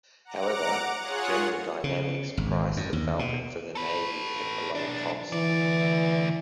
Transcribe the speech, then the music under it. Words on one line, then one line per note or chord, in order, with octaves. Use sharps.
However, General Dynamics priced the Falcon for the Navy at below cost.
F#5 A#5 D6
F4 G#4 C#5 F#5
C#3
G#1
F#2
D#2
B2
A4 B4
B1 D4
D2 E3 D5